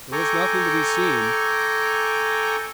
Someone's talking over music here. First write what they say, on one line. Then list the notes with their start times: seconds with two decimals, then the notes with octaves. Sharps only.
There was nothing to be seen.
0.12 A4 G5 G#5 A#5 C#6 D6